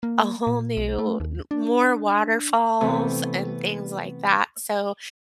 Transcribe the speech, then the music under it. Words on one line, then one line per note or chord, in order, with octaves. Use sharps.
a whole new n more waterfalls and things, like that, so,
A#3
A#2
B1
A3
D#2
D4
C3 E3 A3 B3 C4